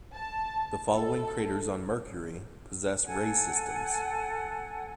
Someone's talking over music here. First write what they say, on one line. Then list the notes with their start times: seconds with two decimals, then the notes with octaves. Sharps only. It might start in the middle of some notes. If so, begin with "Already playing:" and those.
The following craters on Mercury possess ray systems.
0.14 A5
0.95 A4
3.04 A4 F#5 G#5